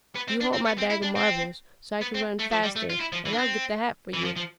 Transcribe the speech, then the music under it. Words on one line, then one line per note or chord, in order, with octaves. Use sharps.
"You hold my bag of marbles so I can run faster, and I'll get the hat for you."
B3
C4
D4
C4
B3
C4
E4
D4
C4
B3
C4
A3
F3
G3
A3
F4
E4
F3
E3
D4
C4
E3
F3
F3